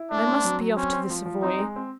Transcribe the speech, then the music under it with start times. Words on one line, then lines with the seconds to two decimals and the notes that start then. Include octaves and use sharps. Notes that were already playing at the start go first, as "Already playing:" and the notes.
"I must be off to the Savoy."
Already playing: E4
0.11 A3 D4
0.27 C4
0.44 F#3
0.60 F#3
0.77 C4 C#4
0.93 C4
1.10 F3
1.26 F3
1.42 C4 D#4
1.59 G#3
1.76 C4